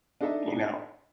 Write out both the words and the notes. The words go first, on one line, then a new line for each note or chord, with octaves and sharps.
You know?
D4 D#4 A4 D#5 E5